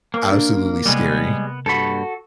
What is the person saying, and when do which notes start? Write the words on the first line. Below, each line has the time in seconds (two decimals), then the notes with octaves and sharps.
absolutely scary.
0.14 A#3
0.32 D4
0.86 C3 G3 G#3 A#3 B3
1.66 G2 F#4 A4 B5